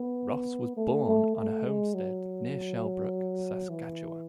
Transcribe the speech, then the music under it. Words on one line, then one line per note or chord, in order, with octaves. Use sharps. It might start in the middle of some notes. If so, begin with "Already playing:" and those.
Ross was born on a homestead near Shellbrook, Saskatchewan.
Already playing: B3
A3
A3
A3
G#3
F#3
E3